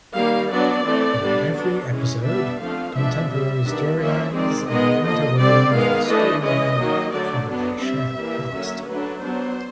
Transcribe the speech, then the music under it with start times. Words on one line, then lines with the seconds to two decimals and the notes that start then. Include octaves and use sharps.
In every episode, contemporary storylines are interwoven with a storyline from their shared past.
0.16 D#3 G3 A#3 F5
0.51 F#3 B3 D4 D5
0.85 E3 A3 C4
1.20 D3 G3 B3 D4
1.55 F#3 B3 D4
1.91 E3 G#3 C#4
2.24 G3 B3 D4 E5
2.60 D3 F3 A3 C4 F5
2.95 F3 G#3 B3 D4 E5
3.29 G3 C4 E5
3.65 D#3 G3 B3 D4
3.99 F3 A#3 C#4 E5
4.34 D#3 G#3 C4 D5
4.69 D#3 G#3 B3 D#5
5.03 D3 F3 A#3 D#5
5.38 D3 G3 C4 D5
5.73 D#3 G#3 B3 F5
6.08 E3 A3 D4 D#5
6.43 E3 G#3 C#4 D#5
6.77 D#3 F#3 A#3
7.12 D3 F#3 A3 D5
7.48 F#3 B3 D4
7.82 G3 C4 E5
8.17 E3 G3 A#3
8.51 D3 F#3 A#3 C#4
8.87 F#3 A3 D4 B4
9.21 F#3 B3 D4 C5